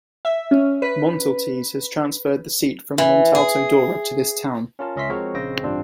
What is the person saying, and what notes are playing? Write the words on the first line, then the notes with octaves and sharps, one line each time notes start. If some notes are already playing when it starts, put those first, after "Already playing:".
Montaltese has transferred the seat from Montalto Dora to this town.
E5
C#4
B4
E3
G#4
C#4 F4 A#4 A5
C#2 C#4 D#5 E5 C6 B6
F3 G#3 C4 F#4 A#4 C#5
A#1 C#3 C4 D#5 G5 A#6
A1 G2 G3 C4 D4 F4